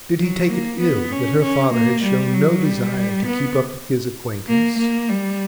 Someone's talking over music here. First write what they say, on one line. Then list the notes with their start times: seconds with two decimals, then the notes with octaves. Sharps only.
Did he take it ill that her father had shown no desire to keep up his acquaintance?
0.19 F#3
0.49 A#3
0.81 B3
1.12 C#4
1.42 C#4
1.73 A#3
2.03 G3
2.34 F#3
2.64 G3
3.25 B3
4.48 A#3
4.79 A#3
5.09 G3